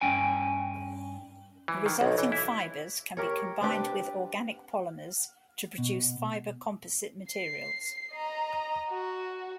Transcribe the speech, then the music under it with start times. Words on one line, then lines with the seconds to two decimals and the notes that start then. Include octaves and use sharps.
The resulting fibers can be combined with organic polymers to produce fiber composite materials.
0.01 G2 C#4 G5 G#5
1.68 E3
1.86 D#3
2.01 B1
2.18 E3
2.32 E4
3.17 G4 A#4 C#5
3.61 C4 D4 G4 B4
5.78 B2
7.30 C7
8.12 D#5 A#5
8.90 F#4